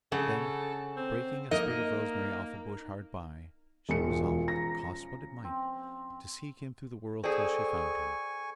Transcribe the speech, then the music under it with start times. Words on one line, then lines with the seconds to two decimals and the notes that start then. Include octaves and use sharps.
Then, breaking a sprig of rosemary off a bush hard by, she resolved, cost what it might, to seek him through the world till she found him.
0.12 C#3 A4 F#5
0.97 C4
1.51 A#3 D#4 A#4 D#5
3.89 E1 C#3 F3 C#7
4.48 A#5 A#6
5.44 C4
7.24 C4 G#4 A4 D5 G#5 C#6